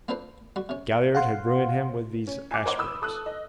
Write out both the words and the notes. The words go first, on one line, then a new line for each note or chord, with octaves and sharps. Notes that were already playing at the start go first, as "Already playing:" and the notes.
Galliard had ruined him with these Ashburns.
A#3 C4 D4 F4 B4 C5
G3 F#4
C3 C#4
F5 F#5 C6
C#4
G#5 D6
A#4 C5 C#5 D#5 F#5 D6
B5 D#6 E6
A4 D#6 F#6
D#5